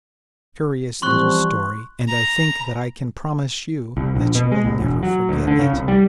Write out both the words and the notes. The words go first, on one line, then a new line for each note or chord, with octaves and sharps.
It is a curious little story, and I think that I can promise you that you will never forget it.
E3 F3 G3 C4 C#4 C6 C#6 F#6
A#5
C2
A#1
B2
G#3
C2
E1
F#3
D2
D3
C#3
C2
G3